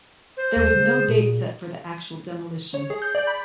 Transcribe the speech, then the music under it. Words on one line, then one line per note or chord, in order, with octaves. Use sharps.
There was no date set for the actual demolition.
C5
D#2
C#3 G#4
A#2
C#5
G#4
G6
D5
B5